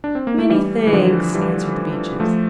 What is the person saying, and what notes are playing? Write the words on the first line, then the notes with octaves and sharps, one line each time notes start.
"Many thanks," answered the Beeches.
D4
C4
A#3
A3
E3 G3
E3
D3 F3
E3 G3
F3 A3